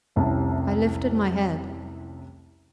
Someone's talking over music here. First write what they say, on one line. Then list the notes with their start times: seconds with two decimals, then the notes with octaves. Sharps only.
I lifted my head.
0.16 F1 C2 C3 C#4 E4 A5